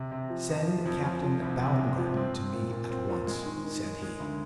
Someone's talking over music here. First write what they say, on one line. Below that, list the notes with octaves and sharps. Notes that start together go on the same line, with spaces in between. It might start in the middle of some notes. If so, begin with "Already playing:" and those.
"Send Captain Baumgarten to me at once," said he.
Already playing: C3
C3
F3
F2
F3
F2
F3
F3
C2
C3
C2
F3
C4
C4
A#2
A#2
C4
A#2
G#3
D#3
D#3
G#3
G#3
D2